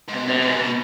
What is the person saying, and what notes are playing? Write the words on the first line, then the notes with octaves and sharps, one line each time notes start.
and then,
G#2
F#2
G#2
B2